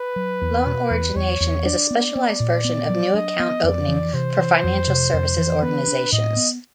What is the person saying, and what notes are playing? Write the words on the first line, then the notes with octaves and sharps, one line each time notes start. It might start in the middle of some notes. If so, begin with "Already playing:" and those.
Loan origination is a specialized version of new account opening for financial services organizations.
Already playing: B4
F#3
E2
B2
E2
E2 C#5
E2
D4 D5
B3
B3
A#2
B3
F#3
D4 D#5
B3
F2 D5
E3
C3 C5
E3
F2
C3
F2
E3
B3 B4
D4
A2 D#5
B3